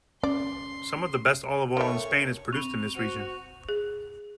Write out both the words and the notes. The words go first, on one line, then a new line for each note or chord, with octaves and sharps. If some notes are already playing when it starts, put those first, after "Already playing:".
Some of the best olive oil in Spain is produced in this region.
C#4 D5 C6
D#3 A3 C#5
C4 B5 C#6 F7
F#4 C5
G#4